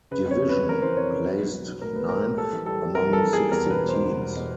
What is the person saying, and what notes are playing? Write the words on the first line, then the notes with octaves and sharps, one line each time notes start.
Division, placed ninth among sixteen teams.
C#3 B4
F2
C#5
C#3
B4
F2
C#3 A#4
E3 C5
F2 C#5
C#3 B4
F#3 B4
B1
B1
F#3
A2 A#4
A2 B4
B1 A#4
A2
G3 A4
E3
G3 A4
G3
C3 A#4
E3 A4
E3
G3 G#4
E2 A#4
E1 B4
E1
B2 C5
B2
E1
B2